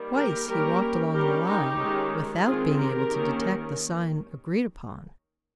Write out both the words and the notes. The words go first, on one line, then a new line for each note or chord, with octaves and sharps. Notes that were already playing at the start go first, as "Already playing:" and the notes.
Twice he walked along the line, without being able to detect the sign agreed upon.
Already playing: D#3 G3 A#3
G4 A#4
G3 A#3 C#4 G4 A#4
G3 C#4 G4 A#4
D#4 G4
D#3 G#3 C#4
D#3 G#3 C4 F4 G#4
G4 A#4
D#3 A#3 C#4